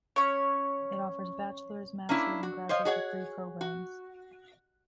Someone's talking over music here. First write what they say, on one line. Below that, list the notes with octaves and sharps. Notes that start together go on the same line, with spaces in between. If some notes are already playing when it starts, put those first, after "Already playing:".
It offers bachelor's, master's and graduate degree programmes.
C#4 C#5
A#3 C#4 D4 E4
F#4
C5 C#5 D#5 F5
F#4 G#4 C#5 F#5
F#4